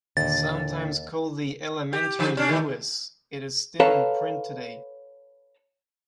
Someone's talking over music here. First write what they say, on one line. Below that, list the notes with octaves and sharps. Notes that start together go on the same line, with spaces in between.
Sometimes called the "Elementary Lewis," it is still in print today.
D#2 A#2 D3 A6
G4
D3 F3
C#4 D4
D#3 A3
A4 B4 C#5 F5 A5 A#5